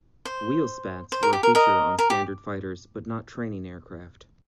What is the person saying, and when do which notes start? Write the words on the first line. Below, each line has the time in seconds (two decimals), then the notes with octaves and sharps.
Wheel spats were a feature of standard fighters but not training aircraft.
0.25 C5
1.12 C5
1.23 A#4
1.33 G4
1.43 A#4
1.55 A#4 D#5
1.99 A#4
2.10 G4